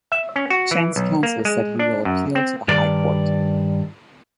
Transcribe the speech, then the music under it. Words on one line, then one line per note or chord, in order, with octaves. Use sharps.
Chen's counsel said he will appeal to the High Court.
E5
C#4
F#4
E3
B1
A#3
G#3
D4
F#2
C4
G2 D#3 D5